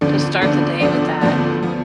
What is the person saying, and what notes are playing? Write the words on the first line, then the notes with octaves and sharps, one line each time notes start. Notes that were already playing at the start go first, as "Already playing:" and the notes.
to start the day with that,
D2 D3 F3 B3 D4
D2 D3 F3 B3 D4
D2 D3 F3 B3 D4
D2 D3 F3 B3 D4
F3 B3